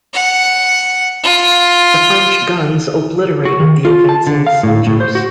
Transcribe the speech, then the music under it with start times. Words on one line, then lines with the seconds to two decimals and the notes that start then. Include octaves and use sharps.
The French guns obliterated the advancing soldiers.
0.14 F#5
1.24 F4
3.45 F#4
3.60 D#3
3.85 F4
4.09 A5
4.27 D3
4.47 F5
4.63 A2
4.87 A2
5.00 C5
5.15 F#4